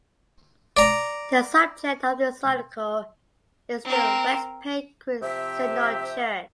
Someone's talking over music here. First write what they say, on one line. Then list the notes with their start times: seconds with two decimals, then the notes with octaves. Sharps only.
The subject of this article is the West Paint Creek Synod Church.
0.77 D5 A#5
3.84 C4 A#4
5.22 C3 F3 G4 E5